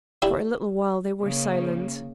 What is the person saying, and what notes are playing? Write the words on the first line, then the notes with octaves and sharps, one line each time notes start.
For a little while they were silent.
D4 E4 G4
C#3 A#3